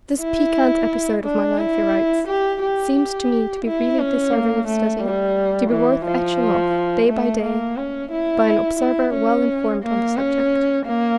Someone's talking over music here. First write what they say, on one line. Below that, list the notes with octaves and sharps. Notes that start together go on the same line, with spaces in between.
"This piquant episode of my life," he writes, "seems to me to be really deserving of study; to be worth etching off, day by day, by an observer well informed on the subject."
E4
D4
E4
G4
G4
G4
E4
C#4
A#3
A3
G3
E3
F3
A3
A#3
C#4
E4
E4
C#4
A#3
C#4
A#3